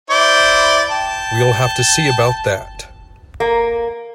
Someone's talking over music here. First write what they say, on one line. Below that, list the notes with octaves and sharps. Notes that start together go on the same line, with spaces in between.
We'll have to see about that.
E4 C5 D5
G5 A5
A#3